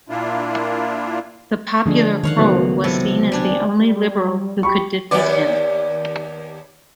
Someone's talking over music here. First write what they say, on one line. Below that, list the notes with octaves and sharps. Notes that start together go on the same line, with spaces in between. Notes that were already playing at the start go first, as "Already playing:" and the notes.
The popular Croll was seen as the only Liberal who could defeat him.
A#2 A#3 D4 E4 F4
D3 F3 G#3 A3 D4
D#3 C#5 F5 F#5
C#2 A2 F#3 B3 F#6
C3 E4 A4
G3 D4 G#5
G3
G4 B5 C#6
D#2 B3 D5